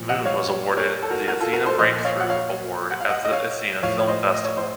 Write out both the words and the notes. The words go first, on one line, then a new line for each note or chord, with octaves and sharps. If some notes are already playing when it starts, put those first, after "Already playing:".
Moon was awarded the Athena Breakthrough Award at the Athena Film Festival.
Already playing: A#2 F3
D#5 F#5
C#5 F5
A#4 C#5
A4
F#4 A#4
F#4 A#4
F4 A4
F#4 A#4
A4 C5
A#2 F3 C5 D#5
C#5 F5
F#5
C#5 F5
F#5
F5
D#5 F#5
D#5
C#5 F5
A2 F3 C#5 F5
C#5
C5 D#5
D#5
C#5
C5